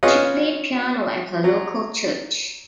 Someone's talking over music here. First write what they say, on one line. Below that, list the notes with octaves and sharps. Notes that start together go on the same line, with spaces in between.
She played piano at her local church.
C#4 F4 G#4 B4 D#5
F#3